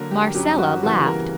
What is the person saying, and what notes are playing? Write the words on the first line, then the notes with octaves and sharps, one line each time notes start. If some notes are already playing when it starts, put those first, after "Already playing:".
Marcella laughed.
Already playing: D3 F#3 A#3 A#4
G4
G2 F#3 C#4 G4
F#4
E2 C#3 E3 G3 A#3 F#4
A#4